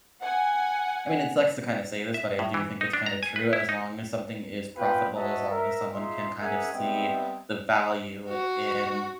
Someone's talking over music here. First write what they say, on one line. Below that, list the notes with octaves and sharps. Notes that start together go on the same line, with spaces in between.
I mean, it sucks to kinda say this, but I do think it's kinda true. As long as something is profitable, as long as someone can kind of see the value in
F#5 G#5
E5
A2
E3
D#4
D4
A#5
G#5
B4
E4
D#4
B3 F4 B4 F5 G5
F#4 C#5 D#5 E5 F#5 A5
A#4 E5
D#4 F4 G#4 E5 C6
C#4 G#4 A#4 E5 F#5 G#5
G3 B3 C4 D#5 E5 G5
F#4